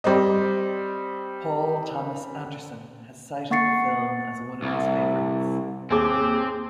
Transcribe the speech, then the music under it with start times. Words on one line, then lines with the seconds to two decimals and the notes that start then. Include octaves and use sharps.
Paul Thomas Anderson has cited the film as one of his favorites.
0.04 G3 C4 C5 D#5
3.51 A#3 F#5 C#6 A6 C7 C#7
4.62 C2
5.91 D#2 C4 G#4 D6